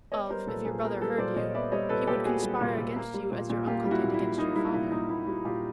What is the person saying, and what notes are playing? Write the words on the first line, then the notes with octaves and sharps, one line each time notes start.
"Of, if your brother heard you, he would conspire against you as your uncle did against your father."
B3 C#5 D#5
G3 A#4 C5
A#2 A4 B4
A#2 G#4 A#4
B3 G#4 A#4
G3 A4 B4
A#2 C5 D5
A#2 C#5 D#5
B3 D5 E5
G3 C#5 D#5
A#2 A4 B4
A#2 G4 A4
B3 F#4 G#4
G3
A#2
A#2
A#3
G3
A#2
A#2
A#3 F4 G4
G3
E4 F#4
A#2
E4
A#2
A#3 D#4
G3 E4
F4
A#2 E4
A#2 D#4 F4
A#3 E4
G3 E4 F#4
A#2 F4 G4